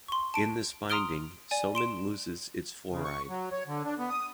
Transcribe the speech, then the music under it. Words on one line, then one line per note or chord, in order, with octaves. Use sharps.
In this binding, soman loses its fluoride.
C6 C#6
A5 D7
A#5 C6 D#6 F6 D7 G7
D5 G#5
C6 D7 E7
C#3
C#6
F#3
C#5
D3
D4
B3
D#6